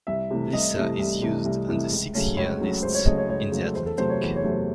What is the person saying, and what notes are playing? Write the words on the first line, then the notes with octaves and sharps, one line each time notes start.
Lisa is used on the six-year lists in the Atlantic.
C2 E5
C3 E3 A3
C2 D#5
C3 E3 A3
C2
C3 E3 A3
C2
C3 E3 A3
C#2
C#3 F#3 A3 C#4
C#2 C#5
C#3 F#3 A3 C#4
C#2 C5
C#5
C#3 F#3 A3 C#4 D#5
C#5
C#2 C#5
C#3 F#3 A3 C#4
A4
E2 C5
A4
C3 F#3 A3 C5
C#5
E2
C#5
C3 F#3 A3
C5